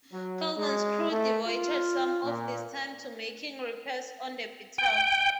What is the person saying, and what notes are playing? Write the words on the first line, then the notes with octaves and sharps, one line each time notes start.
Colburn's crew devoted some of this time to making repairs on the bateaux.
F#3
G#3
A3
F4
A#2
G5